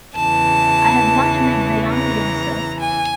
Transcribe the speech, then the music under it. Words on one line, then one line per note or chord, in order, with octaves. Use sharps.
I have not met the young lady, sir.
E2 C#3 E3 A5
A#5
G#5